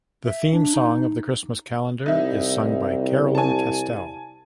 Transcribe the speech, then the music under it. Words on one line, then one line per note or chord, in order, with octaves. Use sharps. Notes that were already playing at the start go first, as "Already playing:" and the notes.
The theme song of the Christmas calendar is sung by Caroline Castell.
E5
D4
D#4
C2 D#4 E4
G#5 A5